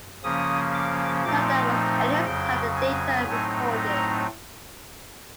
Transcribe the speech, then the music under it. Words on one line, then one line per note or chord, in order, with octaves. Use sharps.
Seldom was any site data recorded.
C#3 F3 A#3 C#4 D#6
D6
A#2 F3 A3 C4 D#4 D6
F2 C#3 F#3 G5
G#5
A2 F#3 A3 C4 D#4
A#5